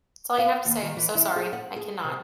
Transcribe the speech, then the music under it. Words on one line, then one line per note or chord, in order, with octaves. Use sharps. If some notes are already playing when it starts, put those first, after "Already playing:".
That's all you have to say, "So sorry, I cannot."
F5
D#2
D#3
E3
E4
G#4
F#5
G#4
C3